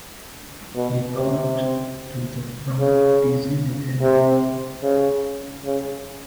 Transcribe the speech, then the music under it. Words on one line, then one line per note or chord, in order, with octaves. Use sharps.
He got to the front easily enough.
B2
C3
C#3
C3
C#3
C#3